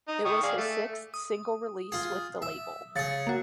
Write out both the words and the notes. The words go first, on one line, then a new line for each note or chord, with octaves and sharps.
It was his sixth single release with the label.
D#4
G5 C#6 D#6
G#4 D5 F5
A3
D#6
F4 G#4
E5
C#3 G#4 A6 C#7
A#3 F#4